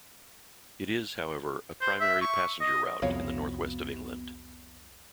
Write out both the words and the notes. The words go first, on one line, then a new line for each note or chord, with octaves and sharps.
It is, however, a primary passenger route in the North West of England.
C5
E5
C#6
D#5
C2 F2 C3 B3 F#4 C#5 F5